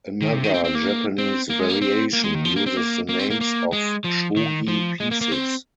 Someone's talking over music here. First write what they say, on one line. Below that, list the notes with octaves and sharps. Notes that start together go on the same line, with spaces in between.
Another Japanese variation uses the names of shogi pieces.
D#3
C3
D#3
C4
C4
A#3
C4
A#3
G#3
A#3
C4
A#3
G#3
D#3
F3
A#3
C4
A#3
A#3
C4
A#3
A#3
G#3
F3
D#3
F3
G#3
A#3
A#3
C4